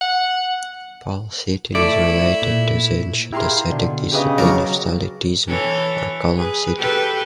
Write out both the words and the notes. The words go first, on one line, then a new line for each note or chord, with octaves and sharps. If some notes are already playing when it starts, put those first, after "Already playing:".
Pole sitting is related to the ancient ascetic discipline of stylitism, or column-sitting.
F#5
A3 E4 D5
A#2
E4 G4 G#4 A#4 F5 C6
B2 D3
C#3 G4 B4 D#5
F#3 A#4 D5 A#5
E3 A4 C#5
G#4 B4
G4 A4 B4